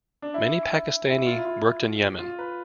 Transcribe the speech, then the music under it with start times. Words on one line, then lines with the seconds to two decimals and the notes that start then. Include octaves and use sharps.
Many Pakistani worked in Yemen.
0.22 D4
0.34 E4
1.09 E4
1.27 F4
1.37 E4
1.45 F4
2.19 F4
2.39 B4